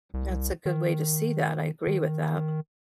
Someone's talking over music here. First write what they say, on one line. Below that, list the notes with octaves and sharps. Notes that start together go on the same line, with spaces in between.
That's a good way to see that, I agree with that.
C2
D#3
D#3